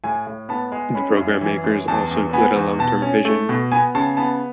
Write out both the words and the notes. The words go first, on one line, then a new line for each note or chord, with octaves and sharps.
The programme makers also included a long-term vision.
A2 G#5
A2
B3 A5
G#3
C#4 B5
F#2
E3
F#2
E2 A5
E2
B3 G#5
E2
B2 A5
C#4
A3
B2
B3 G#5
C#3 A5
B3 A5